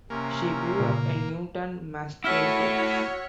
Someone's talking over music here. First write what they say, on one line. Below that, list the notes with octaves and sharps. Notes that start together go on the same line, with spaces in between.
She grew up in Newton, Massachusetts.
C3 A#3 C#4
A#2 C#3
A3 E4 F#4 C#5 E6 F6 B6